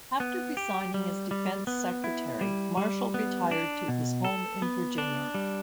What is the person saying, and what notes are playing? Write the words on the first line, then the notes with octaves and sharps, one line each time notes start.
After resigning as Defense Secretary, Marshall retired to his home in Virginia.
B3
G4
G3
G3
B3
E4
G3
G3
B3
D4
B2
A4
B3
D4
G3